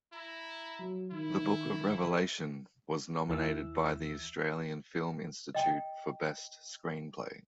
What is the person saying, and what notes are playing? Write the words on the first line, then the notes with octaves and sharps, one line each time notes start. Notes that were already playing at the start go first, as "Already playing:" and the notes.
"The Book of Revelation" was nominated by the Australian Film Institute for Best Screenplay.
E4 A#5
F#3
D#3 E4
D#2 E3 E4 E6
D#5 G5